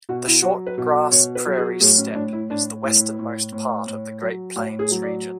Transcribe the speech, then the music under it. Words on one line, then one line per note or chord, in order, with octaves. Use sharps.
The shortgrass prairie steppe is the westernmost part of the Great Plains region.
B2 F#4
E4
F#3 F#4
B4
B2
B2 C#5
B4
F#3
G#4
A2 G#4
C#4
A2 D4
E4
A2 D4
A2 E4
A2
A2
A2
F#3
A2 F#4
G#4
F#3
D5